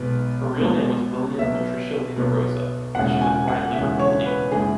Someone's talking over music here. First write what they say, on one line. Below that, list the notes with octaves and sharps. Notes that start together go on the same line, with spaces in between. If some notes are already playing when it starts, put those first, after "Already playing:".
Her real name was Lilian Patricia Lita Roza, and she was born in Liverpool, England.
Already playing: B1 B2 G#3 B4
B1 B2 G#3
B1 B2 F#3 B3 E5
B1 B2 F#3 B3
E1 E2 C#3 E3 G#3 F#5
G#5
F#5
E1 E2 C#3 E3 G#3 E5
C#5
B4
F#1 F#2 E3 G#3 G#4